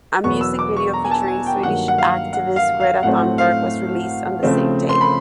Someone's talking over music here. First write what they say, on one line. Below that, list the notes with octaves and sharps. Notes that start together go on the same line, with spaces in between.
A music video featuring Swedish activist Greta Thunberg was released on the same day.
E2 B2 F#3 B3 C#6
E6
D6
C#6
A#5
G#5
A5
G#5
G5
G2 D#3 F#3 A#3 F#5
F#5
F5
F#5
F5
F5
A2 F#3 A3 C4 F#5
F5
C#3 F3 A3 C4
C6
B5